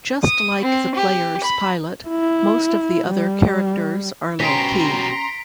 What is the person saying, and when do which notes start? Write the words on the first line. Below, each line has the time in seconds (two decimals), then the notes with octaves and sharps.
Just like the player's pilot, most of the other characters are low-key.
0.24 D#6
0.62 C4
0.95 G4
1.43 B5
2.08 E4
3.10 G3
4.40 B2 C#4 G4 A#5 C6 B6 C7 D7